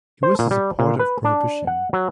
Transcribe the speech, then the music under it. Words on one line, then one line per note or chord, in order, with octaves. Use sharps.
He was a supporter of prohibition.
C5
A#2
G3
A#2
B4
D4
F#5
F#3